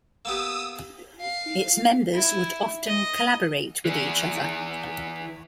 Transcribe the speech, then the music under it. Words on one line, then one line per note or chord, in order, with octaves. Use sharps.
Its members would often collaborate with each other.
A#3 B3 G4 D#6 E6
F5
E4
D#5
E3 G#4